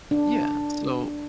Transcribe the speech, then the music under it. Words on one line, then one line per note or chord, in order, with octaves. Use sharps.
Yeah, so
D4